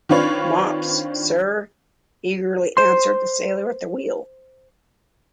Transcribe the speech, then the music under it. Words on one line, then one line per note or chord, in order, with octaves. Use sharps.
Mops, sir, eagerly answered the sailor at the wheel.
D#3 C4 D4 F4 B4 C#5
C5 C6